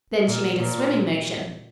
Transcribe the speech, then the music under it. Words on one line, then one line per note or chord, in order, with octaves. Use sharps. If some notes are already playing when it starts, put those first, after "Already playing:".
Then she made a swimming motion.
A#2
A#2